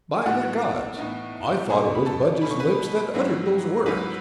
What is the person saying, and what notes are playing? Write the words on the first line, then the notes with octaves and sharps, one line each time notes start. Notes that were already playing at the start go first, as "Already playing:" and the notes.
"By the gods, I thought it was Budge's lips that uttered those words."
G#5
A2 E3 B3 D#4 F#4 F#5
A2 E3 B3 D#4
B2 A3 C#4 G#4 G#5
B5
A4 A5
B2 A3 C#4 B5
C#6
B4 B5
G#2 F#3 C#4 E4
G#2 F#3 C#4 E4 B4 B5